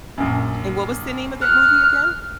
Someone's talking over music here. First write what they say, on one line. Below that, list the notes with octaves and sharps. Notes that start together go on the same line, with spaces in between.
And what was the name of that movie again?
A#1 F#2
F6 F#6